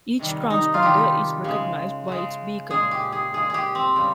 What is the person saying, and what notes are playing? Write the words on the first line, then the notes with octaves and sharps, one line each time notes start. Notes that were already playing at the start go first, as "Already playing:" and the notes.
Each transponder is recognized by its beacon.
C3 D#3 G3
D#4
F4
C3 D#3 G3 G4
C#3 G#3
C#3 G#3
A#2 G#3 G#4
G4
G#4
A#2 G#3 G#4
G4 G#4
C4
C#3 G3